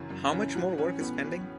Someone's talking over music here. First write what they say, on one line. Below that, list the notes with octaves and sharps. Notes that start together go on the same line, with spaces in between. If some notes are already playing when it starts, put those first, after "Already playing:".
How much more work is pending?
Already playing: F#2 C#3 E3 C#4
F#2
C#3 E3 C#4
A2 F#4
E3 C#4
A2 B3
E3